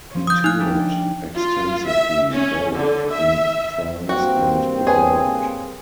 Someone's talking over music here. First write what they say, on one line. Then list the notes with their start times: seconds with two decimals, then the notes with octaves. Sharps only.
He toured extensively, both in France and abroad.
0.10 F3 C#5
0.27 D#6 G6
0.44 D#4 F#6
0.59 G3 D4 E4
0.79 G5
1.36 F4
1.87 E5
2.32 C#4
2.75 D3
3.13 E5
4.09 G2 A#3 C4 F#4 G5
4.87 G#4 B4 C#5 G#5